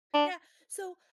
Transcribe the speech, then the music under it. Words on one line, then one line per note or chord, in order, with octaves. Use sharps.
Yeah. So
D4